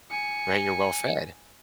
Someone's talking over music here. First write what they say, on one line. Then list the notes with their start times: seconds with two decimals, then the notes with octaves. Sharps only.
right? You're well fed.
0.10 G#5 C#7